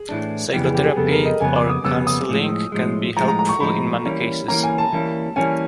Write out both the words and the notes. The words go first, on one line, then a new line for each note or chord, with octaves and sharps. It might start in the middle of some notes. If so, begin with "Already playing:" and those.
Psychotherapy or counseling can be helpful in many cases.
Already playing: G#4
A2 E3 A3 D4
F2 C#3 E3 G3 B3 G4
G#4
G4
G#4
F2 C#3 G3 B3 A4
A#4
D#5
F2 C#3 G3 B3 G#5
D6
D#6
F2 C#3 G3 B3 E6
D#6
A2 F3 G#3
A2 F3 G#3
A2 F3 G#3 A#5
A#5
A#5
C#6
A2 F3 G#3 B5
E3 G3 A#3 C#4
E3 G3 A#3 C#4 A#5
G#5
A5
E3 G3 A#3 C#4
E3 G3 A#3 C#4 G#5